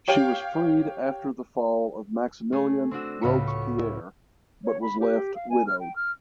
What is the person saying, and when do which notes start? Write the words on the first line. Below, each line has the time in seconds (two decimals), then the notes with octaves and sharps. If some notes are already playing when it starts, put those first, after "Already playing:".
She was freed after the fall of Maximilien Robespierre but was left widowed.
0.08 G4 C#5 F5 G5
2.52 A3 G#4
2.91 C4 D4 F#4 E6
3.22 C#2 A2 C#3 B5 C#7
3.47 C#6
3.78 E4
4.64 C#5
4.81 B5
5.00 G4
5.35 F5
5.50 G#5
5.66 F6
5.80 G5
5.95 F6